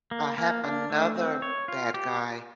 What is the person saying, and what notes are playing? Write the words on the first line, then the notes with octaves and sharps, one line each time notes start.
uh, have another bad guy
A#3
A#3
D4
A3
C4
C#5
F4
G4